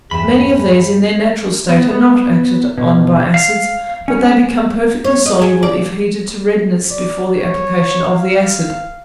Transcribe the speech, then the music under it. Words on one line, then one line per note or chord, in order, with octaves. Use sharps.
Many of these, in their natural state, are not acted on by acids, but they become perfectly soluble if heated to redness before the application of the acid.
E2 G2 G#4 E5 B5
B3
B3
B2
F5
C#4
C#5
D#5
G#4
D5
D5
C#5
F5